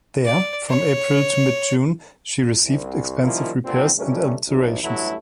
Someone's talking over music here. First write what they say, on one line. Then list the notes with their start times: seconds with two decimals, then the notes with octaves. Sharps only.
There, from April to mid-June, she received extensive repairs and alterations.
0.25 D5
0.69 C#5
2.64 C2
3.23 D#3 F3 G3 A#3 C#4 E4
3.64 G2 A#2 D3 C4
3.97 G2 A#2 D#3 G3 A3 C#4
4.48 B1
4.82 A1 G2 E3 F#3 A3 E4